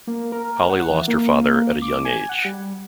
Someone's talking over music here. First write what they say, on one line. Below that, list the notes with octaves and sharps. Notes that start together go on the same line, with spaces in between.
Holly lost her father at a young age.
A#3
A#4
F#5
E3
A#3
D6
G#5
F#5
G3